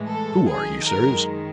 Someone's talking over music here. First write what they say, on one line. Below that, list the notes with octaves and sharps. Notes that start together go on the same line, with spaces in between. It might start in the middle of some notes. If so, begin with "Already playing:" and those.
"Who are you, Sirs?"
Already playing: A2 E3 G#3
A4
F#2 D#3 G#3 G#4
A#4